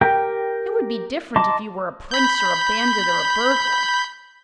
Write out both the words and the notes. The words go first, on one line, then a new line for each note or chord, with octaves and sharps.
It would be different if you were a prince, or a bandit, or a burglar.'
G4 A#4 G5
D#5 A5 A#5 C6 D6
B5 G6